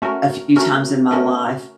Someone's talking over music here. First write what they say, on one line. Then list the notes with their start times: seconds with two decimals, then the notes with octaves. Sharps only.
a few times in my life
0.02 A3 C#4 F#4 A#4
0.56 A3 C#4 F#4 A#4
1.11 A3 C#4 F#4 A#4